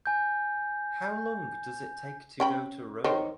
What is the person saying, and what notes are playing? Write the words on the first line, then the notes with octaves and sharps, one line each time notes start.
How long does it take to go to Rome?
G#5 G6
C#4 G5 B5
D#3 C5 C#5